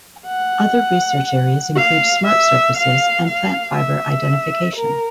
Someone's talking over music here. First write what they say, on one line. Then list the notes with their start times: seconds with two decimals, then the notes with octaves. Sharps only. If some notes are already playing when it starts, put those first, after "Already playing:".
Other research areas include smart surfaces and plant fibre identification.
0.27 F#5
1.76 F5
2.27 E5
2.77 F5
3.27 F5
3.77 E5
4.76 A#4